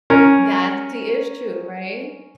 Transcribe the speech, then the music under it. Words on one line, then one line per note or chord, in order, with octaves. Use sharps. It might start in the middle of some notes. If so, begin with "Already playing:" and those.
That's the issue, right?
C#4 A#4